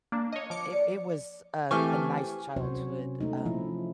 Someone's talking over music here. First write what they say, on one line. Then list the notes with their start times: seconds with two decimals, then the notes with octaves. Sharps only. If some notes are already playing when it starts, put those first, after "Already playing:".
it it was a a nice childhood, um,
0.12 A#3 D4
0.33 C#5 D#5
0.50 F3 D6 C#7
0.73 D5
1.71 E3 A3 C4 G4 G#5 C#6 F6 G6
2.56 C3 F#3 C#4 F#4 C5 C#5
3.20 A3 C#4 D#4
3.45 F3 E4